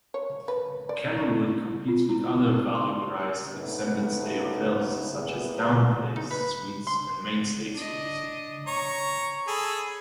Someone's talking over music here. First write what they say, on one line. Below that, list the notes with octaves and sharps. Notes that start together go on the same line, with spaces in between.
Candlewood competes with other value-priced, extended-stay hotels such as TownePlace Suites and Mainstay Suites.
C#5
B4
D5
F4
E4
D#4
C6
G4
G2 C3 A3 B3 C#4 D#4
G3 A#3 B3 E4 G#4
D#4
B4
C6
D4 D#5
C#5 A#5 C#6
G#4 A4 B5